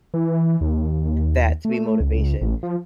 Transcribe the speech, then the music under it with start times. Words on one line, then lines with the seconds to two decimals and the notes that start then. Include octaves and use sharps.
that to be motivation.
0.14 E3
0.61 D#2
1.05 D#2
1.65 A3
2.00 C#2
2.41 A1
2.63 F3